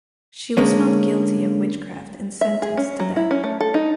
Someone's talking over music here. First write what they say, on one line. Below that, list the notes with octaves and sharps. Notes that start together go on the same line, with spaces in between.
She was found guilty of witchcraft and sentenced to death.
D3 G#3 A#3 C#4
E5
G#4
C#4
F#3
E4
C#4
A3
A4
D#4